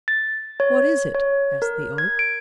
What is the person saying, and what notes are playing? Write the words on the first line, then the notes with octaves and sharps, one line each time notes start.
"What is it?" asked the Oak.
A6
C#5
C#5
A#4
G#6
D7